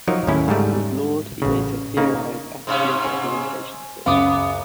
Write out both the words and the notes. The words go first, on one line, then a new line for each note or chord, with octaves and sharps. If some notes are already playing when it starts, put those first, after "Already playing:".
With Lord he later theorized attitude representation theory.
F3 F#3 D#4 A#4
D#2 A2 D#3 C#4 E4
G#2 C#3 G3 A3
A1 C#3
C#3 A#3 D#4
G#2 C3 C#4
G#5
C#2 F#2 B3 F5 D6 D#6